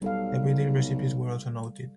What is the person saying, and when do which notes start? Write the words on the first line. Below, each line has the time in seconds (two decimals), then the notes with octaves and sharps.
Everyday recipes were also noted.
0.02 B1 G3 A4 F5